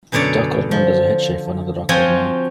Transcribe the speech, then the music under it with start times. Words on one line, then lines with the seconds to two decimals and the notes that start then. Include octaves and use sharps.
A dark colored man does a head shave for another dark colored man.
0.12 F#2 B2 D3 C#5 D5
0.71 F3
1.89 F3 C4 F4 F#4 C#5 G#5